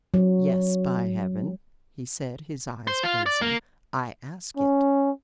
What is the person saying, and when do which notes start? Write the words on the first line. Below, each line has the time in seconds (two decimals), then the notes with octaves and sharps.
"Yes, by heaven," he said, his eyes blazing, "I ask it."
0.14 F#3
2.87 C5
3.03 F4
3.26 D5
3.41 A#3
4.57 C#4